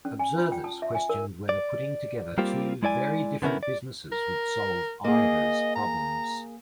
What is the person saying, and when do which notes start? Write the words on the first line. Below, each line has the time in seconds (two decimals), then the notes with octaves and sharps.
Observers questioned whether putting together two very different businesses would solve either's problems.
0.05 C#4
0.19 G#5
0.38 F4
0.52 G5
0.64 A5
0.82 E5
0.95 G#5
1.09 A#4
1.49 D5
2.38 G3 A#3 C4 F4 G4
2.83 G#3 E4 D5 G#5
3.42 D3 B3 C#4 E4 A#4
3.63 D5
4.12 A#4
5.04 A#3 G#4 D#5
5.75 A#5